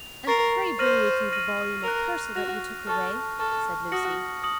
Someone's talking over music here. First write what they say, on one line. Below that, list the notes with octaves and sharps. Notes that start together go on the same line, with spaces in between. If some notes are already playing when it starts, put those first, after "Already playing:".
"And pray bring with you the volume of Purcell that you took away," said Lucy.
Already playing: F7
A#4 C#6 A6 C7 F7
C5 F6 A#6 D#7 F#7
F6 A#6 D#7 F#7
A#4 F#6 A#6 F7
F#4 F#6 A#6 F7
A4 A5 C#6 F6
A4 A5 C#6 F6
F#4 D#6 A#6 C#7 F#7
D#6 A#6 C#7 F#7